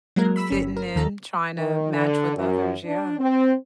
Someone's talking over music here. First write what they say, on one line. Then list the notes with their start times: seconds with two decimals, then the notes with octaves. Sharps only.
Fitting in, trying to match with others. Yeah,
0.16 F#3 G#3 A#3 A#4
0.36 B5 E6 B6
0.50 G1 C#4
0.77 A#4
0.95 D#2 D#3 A4 A#5
1.57 D#3
1.92 D3
2.36 F#2
2.84 D4
3.19 C4